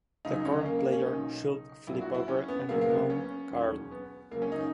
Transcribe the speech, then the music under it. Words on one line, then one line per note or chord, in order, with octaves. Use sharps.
The current player should flip over an unknown card.
C#2 C#3 F#3 D#4
C#4
A#3
A#3
C#4
B1 B2 F#3 D#4
A#1 A#2 F#3 E4
F#4
E4
C#4
B3
C#2 C#3 F#3 A#3
A#3
B3
C#4
E1 D#2 D#3 F#3
B3
C#2 C#3 F#3 A#3
C#4
D#4